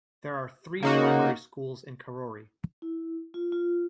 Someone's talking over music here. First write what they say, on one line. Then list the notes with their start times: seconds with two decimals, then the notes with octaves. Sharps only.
There are three primary schools in Karori.
0.83 C#3 A#3 D#4 F#4
2.82 E4
3.34 F4
3.52 F4